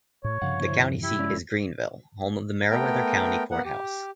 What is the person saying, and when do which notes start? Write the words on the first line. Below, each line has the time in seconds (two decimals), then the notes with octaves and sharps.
The county seat is Greenville, home of the Meriwether County Courthouse.
0.24 A2 C#5
0.42 C2 G2 C#3 F3 F5 F#5
0.61 D2 E4 C5
0.90 E2
1.03 E4 G4
1.19 G#3 C#4 D5
2.71 A3 B3 A#4 G5
3.51 A#3 B3 F#5
3.65 G4